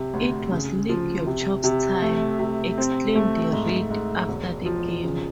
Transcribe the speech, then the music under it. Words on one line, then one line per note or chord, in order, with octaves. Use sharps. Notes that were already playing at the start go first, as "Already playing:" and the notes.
"It was lick-your-chops time", exclaimed Reed after the game.
Already playing: C3
D2
C#3
F3
C3
C3
A3
C3
C4
A3
G#2
G#2
E1
F3
C#3